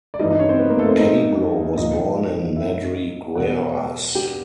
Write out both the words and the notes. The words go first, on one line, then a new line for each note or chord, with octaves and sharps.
Pablo was born in Madrigueras.
D5
G2 E3 G3 D#4 D#5
D#4 D#5
C#4 C#5
C4 C5
B3 B4
A#3 A#4
A3 A4
C4 C5
D#4 D#5
A#2 F3 D#4 D#5
E4 E5
E2 B2 G3 F#4 F#5
G4 G5